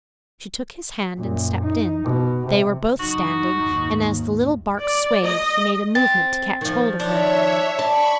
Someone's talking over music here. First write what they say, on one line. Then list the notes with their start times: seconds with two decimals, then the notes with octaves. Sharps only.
She took his hand and stepped in; they were both standing, and as the little bark swayed he made a movement to catch hold of her.
1.17 F#2 A#2
1.64 D#4
2.03 B2
2.47 C3
3.00 F#1 D#4 F#4
3.60 G#1 D#2
4.84 D5
5.24 D#5
5.95 C4 A6
6.61 D#3 F3
7.00 D4 C#5 E5
7.79 D4 A5 B5 C#6